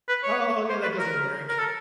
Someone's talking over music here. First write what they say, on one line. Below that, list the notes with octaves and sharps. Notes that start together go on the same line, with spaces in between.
Oh, yeah, that doesn't work.
B4
C#5
C5
B4
A#4
A#4
A4